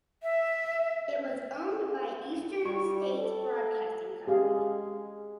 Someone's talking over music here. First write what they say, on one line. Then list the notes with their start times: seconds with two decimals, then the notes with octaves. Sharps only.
It was owned by Eastern States Broadcasting Company.
0.23 E5
2.66 G3 C#6
3.17 A4
4.27 G#3 G4 G#4 F5